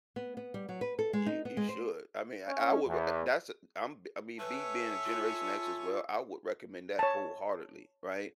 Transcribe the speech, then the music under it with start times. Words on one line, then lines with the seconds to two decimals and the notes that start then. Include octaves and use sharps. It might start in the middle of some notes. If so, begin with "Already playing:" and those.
you you should. I mean, I I would, but i that's a I'm I mean, me being a Generation X as well, I would recommend that wholeheartedly, right?
0.16 B3
0.37 B3
0.54 G3
0.69 F#3
0.81 B4
0.99 A4
1.13 G#3
1.26 D#4
1.45 B3
1.57 G#3
1.69 C5
2.48 C#4
2.87 E2
4.40 C#4 A4 B4 C#5 E5
5.05 F4
6.99 C#5 A5